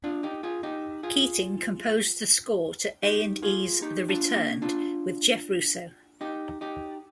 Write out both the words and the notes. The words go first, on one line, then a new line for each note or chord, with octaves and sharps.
Keating composed the score to A and E's "The Returned" with Jeff Russo.
D4 F4
D#4 G4
F4 G#4
D#4 G4
F4 G#4
D#4 G4
F4 G#4
D#4 G4
D4 F4
A#3 D4
D4 F4
D#4 G4
D#4 G4